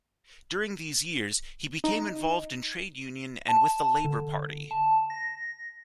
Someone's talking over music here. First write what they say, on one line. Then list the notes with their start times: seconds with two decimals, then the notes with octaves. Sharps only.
During these years he became involved in trade union and with the Labour Party.
1.84 D#4
3.48 A5
4.05 D3
4.71 A5
5.10 A#6